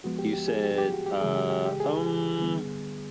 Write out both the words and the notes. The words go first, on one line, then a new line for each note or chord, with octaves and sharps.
You said, uh, um
F3 G#3 B3 F#4
G4
G4
G#4
G4
G4
F#4
G4
C#3 E3 G#3 G#4
G4
G4
G4
G#4
D3 G3 B3